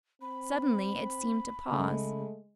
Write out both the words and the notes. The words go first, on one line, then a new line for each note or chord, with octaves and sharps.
Suddenly it seemed to pause.
C4 B5
C#3 G#3 A3